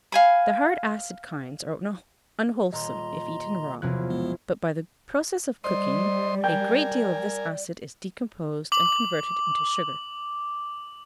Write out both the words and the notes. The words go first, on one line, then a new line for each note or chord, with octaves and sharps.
The hard acid kinds are unwholesome if eaten raw; but by the process of cooking, a great deal of this acid is decomposed and converted into sugar.
F5 G#5 B5
D#1 D#5 A#5 C6
B1 E2 C3 F3 F#6
G#3 B3
G3 C5 D5 D#5 C6
A#4 G5 G#5
D6 F#7